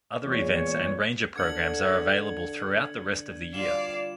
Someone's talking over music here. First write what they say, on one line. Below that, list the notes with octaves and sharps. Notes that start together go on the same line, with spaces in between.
Other events and ranger programs are available throughout the rest of the year.
E2 A#2 G#3 F4 C#5
D3 G#6 C#7 F#7
G3 F4 D5 F5 E7